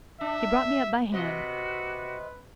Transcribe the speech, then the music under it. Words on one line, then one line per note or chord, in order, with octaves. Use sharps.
She brought me up by hand.
D4 E5
C3 F#4 B4 D#5